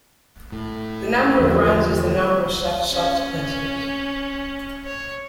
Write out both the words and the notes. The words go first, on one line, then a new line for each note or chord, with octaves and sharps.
The number of runs is the number of such sub-sequences.
A2
E2 D3 F3 A3 G4
C#4
C#5